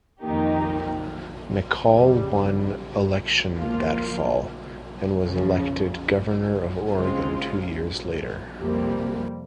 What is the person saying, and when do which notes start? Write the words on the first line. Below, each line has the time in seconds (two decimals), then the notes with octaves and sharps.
McCall won election that fall, and was elected Governor of Oregon two years later.
0.22 F2 D#3 A#3 D#4 G4
1.89 F2 C#3 G3
3.57 F3 A#3 F4
5.25 F2 C#3 F3
6.93 C#3 G#3 C4 F4
8.61 F2 C3 G3 A#3